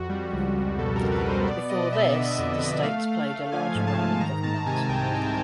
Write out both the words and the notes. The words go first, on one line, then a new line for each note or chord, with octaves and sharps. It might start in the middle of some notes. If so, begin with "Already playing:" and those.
Before this, the states played a larger role in government.
Already playing: F2 F#4
G3
C#2
C#2
B2 A4
B2 A#4
B4
B2 C5
B3 D5
B3 D#5
B3 E5
D3
F2
F2
A3 F5
A3
A3
F3 G#5
G#2
A5
G#2
D#3 A#5
D#3 A5
C3 G#5
C2 G5
D#3